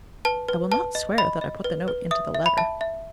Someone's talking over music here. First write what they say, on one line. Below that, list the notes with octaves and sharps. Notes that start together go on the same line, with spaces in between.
"I will not swear that I put the note into the letter."
B4 A5
B4
B4 A5
D#5
D#5 B5
D#5
B4
B4
E5 D#6
E5
B5
E5 A5
E5